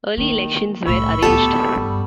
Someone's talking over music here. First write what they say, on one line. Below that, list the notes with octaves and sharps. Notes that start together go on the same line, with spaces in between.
Early elections were arranged.
D#3 A#3
C2 A2 B5 C#6 E6
D2 B3 G4 A4
G2 G3